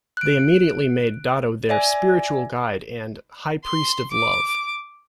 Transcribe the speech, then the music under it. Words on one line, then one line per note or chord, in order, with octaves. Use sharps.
They immediately made Dado their "spiritual guide" and "high priest of love".
F#6 D7
D5 E5 G#5
C6
D6